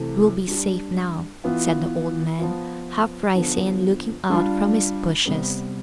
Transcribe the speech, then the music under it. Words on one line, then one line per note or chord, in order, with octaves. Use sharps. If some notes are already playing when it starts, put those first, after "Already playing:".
"It will be safe now," said the old man, half rising and looking out from his bushes.
Already playing: C3 E3 A3
G3 D4 G4
E3 B3 F4
F3 B3 F4
D3 F3 B3
G3 D4 F4
C3 G3 B3